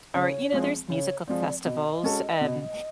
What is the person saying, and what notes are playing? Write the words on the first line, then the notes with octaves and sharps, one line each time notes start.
or, you know, there's musical festivals, um,
C#3 C#5 D5
F3 G#3 C4
C#3 C#5
F3 G#3 C4 D5
B2 D#5
G#3 C#4 F#4 A4
B2